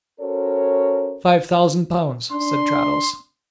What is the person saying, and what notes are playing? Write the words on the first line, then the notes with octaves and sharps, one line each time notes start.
'Five thousand pounds,' said Traddles.
C#4 F#4 A4 A#4 C5 C#5
D4 C6